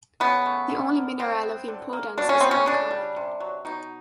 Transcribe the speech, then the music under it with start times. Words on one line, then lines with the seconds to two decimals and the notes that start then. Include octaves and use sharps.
The only mineral of importance is kankar.
0.20 C#3 B3
0.46 A3
0.70 D3
0.95 A#3
1.19 D3 C4
1.43 B3
1.68 D3
1.93 A#3
2.17 B2 D4
2.29 C#4
2.41 B3 C4
2.51 C#4
2.66 C#3 D4
2.91 G3
3.16 C3
3.40 F#3
3.65 B2 D#4